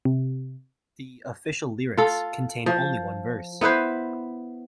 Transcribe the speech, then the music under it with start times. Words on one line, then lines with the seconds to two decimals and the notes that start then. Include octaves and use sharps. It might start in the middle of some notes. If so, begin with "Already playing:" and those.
The official lyrics contain only one verse.
0.05 C3
1.97 F4 A4
2.66 F3
3.61 B3 E4 B4 C5